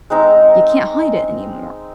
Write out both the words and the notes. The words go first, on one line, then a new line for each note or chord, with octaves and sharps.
You can't hide it anymore.
G#3 C4 D#4 A#5